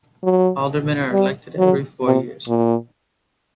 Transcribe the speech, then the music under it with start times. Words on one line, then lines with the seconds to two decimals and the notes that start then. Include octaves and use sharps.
Aldermen are elected every four years.
0.23 F#3
1.13 G3
1.59 F#3
2.03 C3
2.48 A#2